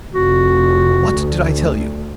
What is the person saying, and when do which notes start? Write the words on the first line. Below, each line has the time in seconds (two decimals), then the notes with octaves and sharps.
"What did I tell you?"
0.14 F1 F#4
1.11 D2